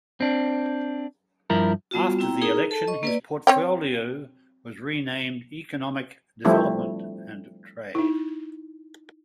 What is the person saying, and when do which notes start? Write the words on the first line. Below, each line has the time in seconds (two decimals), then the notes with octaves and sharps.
After the election, his portfolio was renamed "Economic Development and Trade".
0.20 C4 D4
1.50 G2 F3 E4 A#4
1.91 G3 B3 F4 F#4
2.19 C4 E4 G5 A#5
2.41 D#4 G#4 A#4 A#5 D#6
2.71 A4 A5
2.88 D#5 C#6
3.03 A#3 B4 D5
3.47 C4 C#5 G5
6.45 F3 G3 A3 C4 D4 E4
7.95 D#4 E4